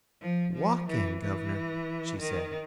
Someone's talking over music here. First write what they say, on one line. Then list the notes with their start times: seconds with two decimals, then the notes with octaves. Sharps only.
"Walk in, governor," she said.
0.21 F3
0.54 F3
0.88 E3
1.20 E3
2.20 D#3